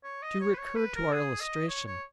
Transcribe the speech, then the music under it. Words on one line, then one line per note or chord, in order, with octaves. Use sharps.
To recur to our illustration.
C#5
D#5
C#5
B4
C#5
B4
A#4
G#4
D#5
C#5
C#5